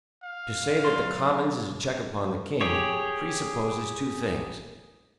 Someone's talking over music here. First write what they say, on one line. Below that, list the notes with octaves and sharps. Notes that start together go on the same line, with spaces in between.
To say that the commons is a check upon the king, presupposes two things.
F5
F#3 D5 C6
G4 G#4 C#5